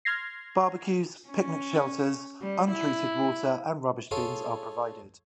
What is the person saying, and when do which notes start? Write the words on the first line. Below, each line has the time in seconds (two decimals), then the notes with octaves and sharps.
Barbeques, picnic shelters, untreated water and rubbish bins are provided.
0.05 C6 F6 G#6 A#6 C7
1.29 C#4
2.42 G3
2.72 E4
4.11 F4 G#4 A4 C#5